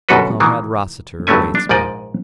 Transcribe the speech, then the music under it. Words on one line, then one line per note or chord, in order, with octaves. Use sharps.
Comrade Rossiter awaits me.'
G1 F#2 B2 F#4 A4 B4
B2 D#3 E3 G#3
G1 G2 F#3 A3 C#4 G#5
D4
A#1 G#2 F3 D5 D#5